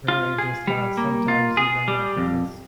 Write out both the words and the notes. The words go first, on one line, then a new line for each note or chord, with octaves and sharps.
really just, uh sometimes even, like, if it's
F4
G#4
G3
A#3
F4
G#4
G3
F2